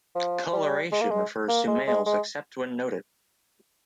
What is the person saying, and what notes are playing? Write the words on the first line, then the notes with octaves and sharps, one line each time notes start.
Colouration refers to males except when noted.
F3
G3
G#3
A#3
G#3
A#3
G#3
G#3
G#3